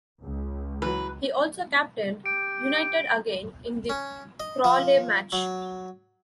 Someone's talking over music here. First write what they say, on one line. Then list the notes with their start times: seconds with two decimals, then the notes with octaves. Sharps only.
He also captained United again in the Crawley match.
0.22 C#2
0.82 E3 F#3 B4
2.26 G4 D7
3.89 C#4
4.40 D#5
4.64 F3
5.32 F#3